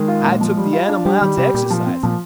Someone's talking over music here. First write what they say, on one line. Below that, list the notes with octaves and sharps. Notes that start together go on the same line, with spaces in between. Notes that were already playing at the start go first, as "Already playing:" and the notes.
I took the animal out to exercise him.
Already playing: D#3 G#3
F4
A#2
F3
G3
F4
D4
G3 G4
D#3 G3
C3 G4
A#2 G4
F3
C4
A#2 F3